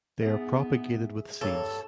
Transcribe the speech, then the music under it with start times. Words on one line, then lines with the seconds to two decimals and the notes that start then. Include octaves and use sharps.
They are propagated with seeds.
0.23 G#2 B3 G#4 E5
1.41 G2 A#3 A4 C#5
1.69 E6